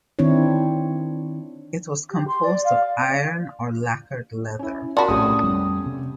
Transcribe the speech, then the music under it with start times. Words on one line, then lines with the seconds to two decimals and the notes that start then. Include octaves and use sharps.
It was composed of iron or lacquered leather.
0.19 D#3 C4 D4 E4 C#5
2.10 G4
2.27 C6
2.42 D5
2.64 F5
4.59 C#4 E4
4.97 F4 F#4 A#4 D5 A5 B5
5.08 A#1 A2 C3 A3 C#4 G4 D#6
5.43 F2 G3 B3
5.86 C3